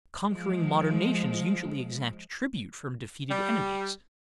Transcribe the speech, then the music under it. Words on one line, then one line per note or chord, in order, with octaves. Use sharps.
Conquering modern nations usually exact tribute from defeated enemies.
F3 G#3
G3